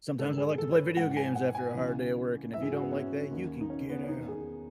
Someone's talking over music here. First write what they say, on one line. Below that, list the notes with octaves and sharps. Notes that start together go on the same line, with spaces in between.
"sometimes I like to play video games after a hard day at work, and if you don't like that, you can get out."
G#2 D#3 A4
G#4
A4
C#5
B4
G#2 E3 F#5
G#5
F#5
G#5
C#2 C#3 E3
G#2 E3 E5
G#4
F#4
B3
C#4
D#2 D#3
D#4
C#4
B3
C#4
E2 D#3 D#4
G#4